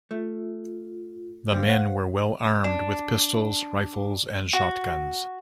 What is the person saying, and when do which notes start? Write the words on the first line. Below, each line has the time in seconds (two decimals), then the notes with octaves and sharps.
The men were well armed with pistols, rifles and shotguns.
0.11 A3 F4
1.52 A#2 D3 G3 C5 F5
1.70 F#5
2.64 D4
4.53 F#4